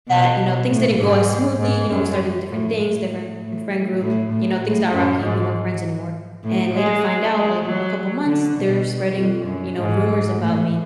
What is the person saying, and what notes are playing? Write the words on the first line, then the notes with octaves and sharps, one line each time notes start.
that, you know, things didn't go as smoothly, you know, we started doing different things, different friend group, you know, things got rocky, we weren't friends anymore. And later find out, like a couple months, they're spreading, you know, rumors about me.
B2
A2
G#2
G#2
F#2
A2
A2
A2
A2
A2
A2
F#2
G#2
A2
G#3
G#3
F#3
D3
B2
F2
F#2
G#2
A2